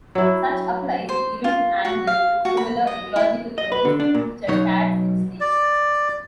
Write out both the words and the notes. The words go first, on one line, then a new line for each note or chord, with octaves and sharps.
Such applies even to animals with similar ecological roles such as cats and snakes.
F#3 E4
C5
F4
F#4
F5
F#4
B5
D#5
E4
D#5
B4
D3
D4
A#2
B1 F#3 D#4 C#5
D5